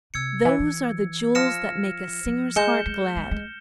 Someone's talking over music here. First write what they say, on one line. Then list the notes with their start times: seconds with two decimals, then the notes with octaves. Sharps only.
Those are the jewels that make a singer's heart glad.
0.14 C3 E6 G#6 C#7
0.45 E3
0.60 E3
1.35 F3 F6 A#6 C#7 E7
2.25 F3
2.56 G#3 G6 C#7 E7 G7
2.86 G#3
3.16 G#3
3.31 G#3